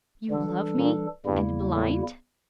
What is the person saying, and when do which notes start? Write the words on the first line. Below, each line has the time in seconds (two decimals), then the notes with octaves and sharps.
'You love me, and blind?'
0.30 D3 E3 G3 D4 A4
0.78 A#2
1.25 E2 G2 C#3 G3 A#3 E4
1.74 A2